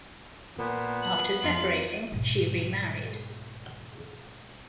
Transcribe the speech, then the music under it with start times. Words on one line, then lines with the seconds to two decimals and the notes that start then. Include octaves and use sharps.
After separating, she remarried.
0.59 A#2 B3
1.02 F#7
1.44 F2 F4
2.12 G#2 B2